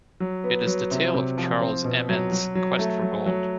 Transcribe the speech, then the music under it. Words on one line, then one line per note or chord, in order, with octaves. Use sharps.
It is the tale of Charles Amand's quest for gold.
F#3
B3
F#3
C3
C3
F3
C4
B2
F#3
F#3
F#3
A3
F#3
F#3